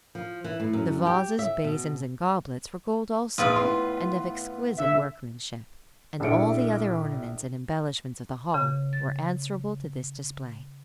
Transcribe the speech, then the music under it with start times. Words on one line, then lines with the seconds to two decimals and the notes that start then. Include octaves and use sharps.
The vases, basins, and goblets were gold also, and of exquisite workmanship, and all the other ornaments and embellishments of the hall were answerable to this display.
0.15 F3
0.44 E3
0.60 A2
0.73 F#2
1.06 G4
1.39 E5
1.64 B2
3.38 A#1 F4 B4 D#6
3.56 A2 B3 C6
4.78 D3 E5
6.20 A#1 E4 A4 C#7 D7
8.54 C#3
8.93 A6